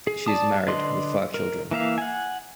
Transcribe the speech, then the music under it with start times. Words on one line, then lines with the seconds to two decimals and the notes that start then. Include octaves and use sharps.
She is married with five children.
0.07 G#4
0.26 D5 A5 D#6
0.68 D3 B4 D5 D#5 C6
1.34 A#4
1.71 E3 A#3 E5 F5
1.98 F#5 G#5